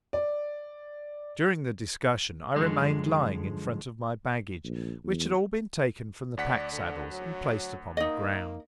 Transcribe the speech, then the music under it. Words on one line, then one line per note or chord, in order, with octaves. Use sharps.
During the discussion I remained lying in front of my baggage, which had all been taken from the pack-saddles and placed upon the ground.
D5
F#2 D3 F3 G#3
A#1
E2
D2 D5 F#5 B6
D3
F#3
A#3 D#4 D#5